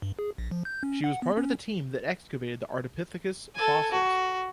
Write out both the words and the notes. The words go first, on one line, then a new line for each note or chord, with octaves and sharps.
She was part of the team that excavated the Ardipithecus fossils.
G2
G#4
A#1
F3
G6
C#4
F#5
B3
C#4
A4 G#5
F#4